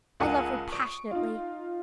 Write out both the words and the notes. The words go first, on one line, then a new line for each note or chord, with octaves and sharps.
I love her passionately.
C#2 A#4 F#5 G#5 A5 D#7
C#6 D#6 D7
D#4 F4